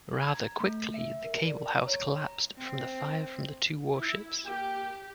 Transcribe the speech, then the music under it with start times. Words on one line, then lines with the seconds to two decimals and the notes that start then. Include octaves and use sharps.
Rather quickly, the cable house collapsed from the fire from the two warships.
0.19 G#6
0.35 A#5
0.60 A3
0.94 E5
1.24 A#4
1.46 D5
1.66 A#5
1.87 C#5
2.20 A#5
2.59 C4
3.95 E4
4.45 A#3 G4 G5